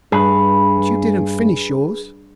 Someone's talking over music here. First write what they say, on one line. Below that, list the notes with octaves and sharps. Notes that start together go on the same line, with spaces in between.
But you didn't finish yours.
G2 G#4 B4